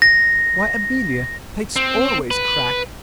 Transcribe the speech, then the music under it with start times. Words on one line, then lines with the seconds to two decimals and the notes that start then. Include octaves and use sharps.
"Why, Amelia, plaits always crack!"
0.02 A#6
1.76 C4
2.31 B4